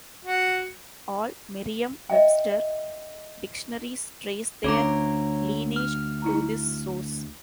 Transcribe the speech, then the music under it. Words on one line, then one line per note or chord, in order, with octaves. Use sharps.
All Merriam-Webster dictionaries trace their lineage to this source.
F#4
D#5 E5 G5
D2 C#4 C#5 A#5 D6
F6
D#4 E4 A#5